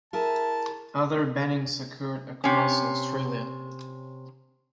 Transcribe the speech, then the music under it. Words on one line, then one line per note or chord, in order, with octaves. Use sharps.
Other bannings occurred across Australia.
E4 G#4 A#4 A5
C3 C#4